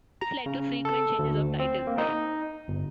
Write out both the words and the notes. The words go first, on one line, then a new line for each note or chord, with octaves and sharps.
This led to frequent changes of title.
A#5
C#3
A4
D2
C4
A#3
D#4
G1